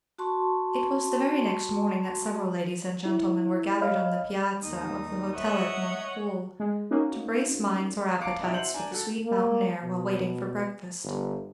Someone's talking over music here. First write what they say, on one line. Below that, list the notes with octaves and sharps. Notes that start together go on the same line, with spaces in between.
It was the very next morning that several ladies and gentlemen were gathered on the piazza of the hotel at Montepoole, to brace minds or appetites with the sweet mountain air while waiting for breakfast.
F#4 A5 C6 C#6
E4
C#5 D#5 F5 B5 F6
D#2 D#4 D#6
C#5 D#5 E5 F#5 D#6 E6
G#3
A#3 C#4 D#4 F#4
F5 A5 A#5 D6 C#7 D7
B2 D4 E4 F#5 G5 F7
E4 F#4 F#5 C6 G6 F#7
D4 G#5 A#5
F#4 A4
A#3
B2
G1